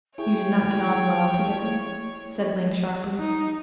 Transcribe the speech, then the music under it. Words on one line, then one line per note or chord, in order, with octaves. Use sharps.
"You did not get on well together?" said Link sharply.
E4 G#4 C#5 G5 C#6
D#4